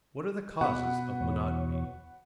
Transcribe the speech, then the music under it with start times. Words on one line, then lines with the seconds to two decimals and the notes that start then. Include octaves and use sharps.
What are the causes of monotony?
0.61 B2 F#5 B5
1.21 E2 E3 C#5